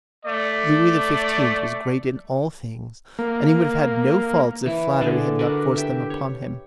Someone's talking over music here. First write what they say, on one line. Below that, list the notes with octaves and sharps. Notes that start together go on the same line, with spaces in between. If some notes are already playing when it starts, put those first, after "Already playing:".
Louis XV. was great in all things, and he would have had no faults if flattery had not forced them upon him.
A3 D5
A#3
E3 E4
D3 D4 G#4 A4
D4 F#4 A#4 B4
G4 E5
C#5